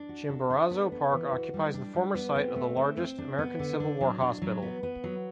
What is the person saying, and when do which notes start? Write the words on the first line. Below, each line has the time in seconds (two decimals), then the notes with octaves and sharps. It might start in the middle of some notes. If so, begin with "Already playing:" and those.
Chimborazo Park occupies the former site of the largest American Civil War Hospital.
Already playing: D4
0.09 F#4
0.30 A4
0.50 D4
0.71 B3
0.92 B3
1.12 E3
1.32 F#4
1.54 G3
1.74 D4
1.94 G3
2.15 B3
2.36 C4
2.56 A3
2.77 C4
2.97 C4
3.18 D4
3.38 B3
3.59 D3
3.80 D4
4.01 F#3
4.21 D4
4.42 F#3
4.62 B3
4.83 B3
5.04 F#3